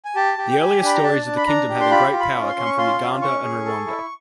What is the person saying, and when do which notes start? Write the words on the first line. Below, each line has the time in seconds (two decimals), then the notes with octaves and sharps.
The earliest stories of the kingdom having great power come from Uganda and Rwanda.
0.05 G#5
0.16 G4 A5
0.38 G4
0.51 G5
0.59 G4 G#5
0.82 D4 B5
0.95 A#5
1.03 D4 A5
1.25 D4
1.37 B5
1.47 D4 A#5
1.69 G4
1.80 C6
1.90 F4 B5
2.12 F4
2.20 B5
2.34 C#4
2.49 C6
2.56 C#4
2.65 C#6
2.78 F4 C6
3.00 C#4
3.21 C#4 C#6
3.44 G#4
3.66 A4
3.87 E4